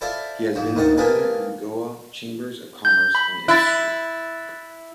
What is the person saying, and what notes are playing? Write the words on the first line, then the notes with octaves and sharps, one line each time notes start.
He has been the president of the Goa Chambers of Commerce and Industry.
E4 F4 A4 C5 D5 E5
G#2 F3
D2 D#3 D#4 F#5 A5
A#3 C4 F4 G#4 A4 B4
G6
B5
E4 F#6 A6